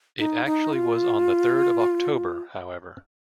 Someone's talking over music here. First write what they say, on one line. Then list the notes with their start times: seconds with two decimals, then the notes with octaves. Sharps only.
It actually was on the third of "October", however.
0.19 D#4
0.46 D#4
0.73 F4